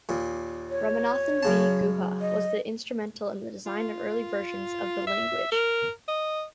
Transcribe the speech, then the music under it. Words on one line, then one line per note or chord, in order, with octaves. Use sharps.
Ramanathan V. Guha was instrumental in the design of early versions of the language.
D#2 A#2
C#5
F#2 C#3 A5
D#5
F4
E5
A#4
D#5